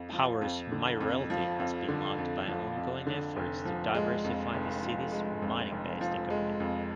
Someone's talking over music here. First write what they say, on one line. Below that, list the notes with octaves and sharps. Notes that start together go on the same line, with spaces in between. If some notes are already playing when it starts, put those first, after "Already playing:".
Power's mayoralty has been marked by ongoing efforts to diversify the city's mining-based economy.
Already playing: F2
F3
F2
D3
F2
F3
F2
D3
F2
F3
F2
D3
F1
F3
G#3
F2
F1
F3
G#3
F2
F1
F3
G#3
F2